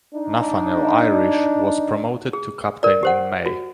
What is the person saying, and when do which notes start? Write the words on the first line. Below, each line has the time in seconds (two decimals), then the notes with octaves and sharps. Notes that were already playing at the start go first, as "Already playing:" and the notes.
Nathaniel Irish was promoted to captain in May.
0.15 D4 D#4
2.33 G#4
2.83 A#4 D5
3.03 G4 C5 F#5
3.46 F#4